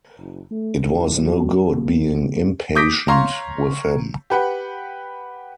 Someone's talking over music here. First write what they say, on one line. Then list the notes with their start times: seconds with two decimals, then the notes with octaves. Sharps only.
It was no good being impatient with him.
0.18 F#1
0.51 A3
0.87 A1
1.21 F#3
1.71 A#3
2.75 D6 D#6 G6 A#6 B6 D7
3.08 C#5 F5 A#5 C6
4.30 G4 B4 F#5